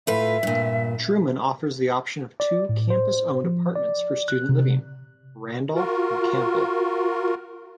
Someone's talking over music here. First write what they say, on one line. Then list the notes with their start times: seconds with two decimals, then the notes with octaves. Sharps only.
Truman offers the option of two campus-owned apartments for student living: Randolph and Campbell.
0.07 A2 F4 B4 E5
0.43 G2 A#2
2.40 D5
2.69 A2
2.90 C5
3.44 F3
3.75 D5
4.28 F#6
4.49 C3
5.75 F4 F#4 A#4